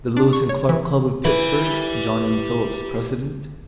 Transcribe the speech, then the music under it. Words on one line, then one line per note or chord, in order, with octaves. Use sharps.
The Lewis and Clark Club, of Pittsburgh, John M. Phillips, President.
D4
C#6
C#5
E3
E3 G4 B5